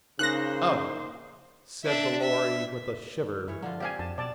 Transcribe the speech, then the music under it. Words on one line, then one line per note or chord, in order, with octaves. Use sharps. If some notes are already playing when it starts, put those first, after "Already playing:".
'Ugh!' said the Lory, with a shiver.
C#3 A#3 D#4 A#4 C5 F#6 A#6
D4 E5
E5
G2 E3 C#5
D3 F3 D4 F4
C4 G4 D5 F5 G#5
F2 A5
B2 D5 A5